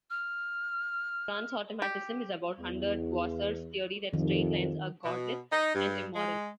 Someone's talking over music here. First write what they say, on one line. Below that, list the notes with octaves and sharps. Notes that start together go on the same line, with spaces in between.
Transautomatism is about Hundertwasser's theory that straight lines are 'godless and immoral'.
F6
G4
E2
C2 F2 D#3
B2
D#4
G2
G#3